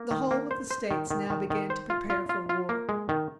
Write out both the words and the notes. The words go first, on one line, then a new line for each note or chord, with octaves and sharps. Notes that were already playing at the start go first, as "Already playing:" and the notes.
The whole of the States now began to prepare for war.
Already playing: A#3
D#3
A#3
C5
C5
D#3
D#3
D#3
D#3
C5
F4
F4
F4
F4
A#3
G#3
D#3